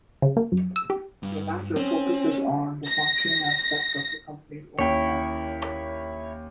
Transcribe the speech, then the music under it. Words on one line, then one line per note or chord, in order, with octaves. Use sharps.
The latter focuses on the functional aspects of the company's own product.
C#3
A#3
F#2
E6
G4
G2
C4 C#4
A#6
D#2 C#4 E4 C#5 G5